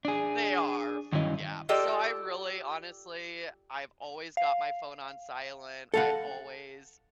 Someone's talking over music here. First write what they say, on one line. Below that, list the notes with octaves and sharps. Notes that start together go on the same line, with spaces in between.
Eh, they are f yeah so I really honestly I've always got my phone on silent, I always
D4 G#4
G2 D#3 F#3 C#4 E4 D#5
F4 G4 A4 D5 D#5 G5
F5
A4 F5 F#5